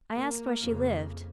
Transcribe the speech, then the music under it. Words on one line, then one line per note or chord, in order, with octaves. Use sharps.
I asked where she lived.
A#3
F2 C#3